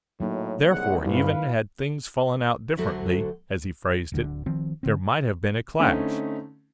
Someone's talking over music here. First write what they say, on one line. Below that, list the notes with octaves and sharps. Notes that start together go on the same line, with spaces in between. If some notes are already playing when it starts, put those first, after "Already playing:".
Therefore, even had things fallen out differently, as he phrased it, there might have been a clash.
A2 F#3 A#3 D#4
C2 G#3 G#4 F#5
G2 E4 B4 F5
D2 D3 F#3 F#4 C5 E5
D1 D2 D3
D#3 F3 C4
D3 C4
D3 A3 C4 C#4 D#4